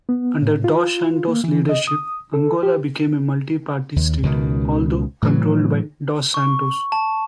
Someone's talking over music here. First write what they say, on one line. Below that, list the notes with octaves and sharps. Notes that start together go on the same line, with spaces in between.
Under Dos Santos's leadership, Angola became a multi-party state, although controlled by Dos Santos.
B3
A2
F4
A#3
E3
D#5
D#6
A4
G4
D#2
C#2 B2 D#3
A2 E3 F#3
C#6
A5